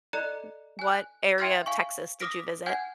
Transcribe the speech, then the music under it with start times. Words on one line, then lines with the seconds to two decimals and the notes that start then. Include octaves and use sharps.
W what area of Texas did you visit?
0.13 A4 D5 D#5 A#5 F#6 C#7
0.79 G#5 F#6
1.38 E5 G5 C6 F6 G#6 A6
1.66 F5 G#5 C#6
2.20 D6 D#6 F6 A#6 B6 D7
2.66 F#5 G#5 F6 G6 G#6